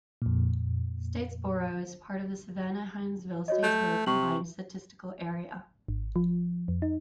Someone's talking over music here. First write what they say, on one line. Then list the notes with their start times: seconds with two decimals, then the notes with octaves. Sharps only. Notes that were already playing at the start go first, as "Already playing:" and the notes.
Statesboro is part of the Savannah-Hinesville-Statesboro Combined Statistical Area.
0.22 F2 A#2
3.48 F#4 C#5 D#5
3.63 A3 G6
4.06 C3 C#6 F#7
5.88 G#1
6.16 F3
6.68 F2
6.82 D#4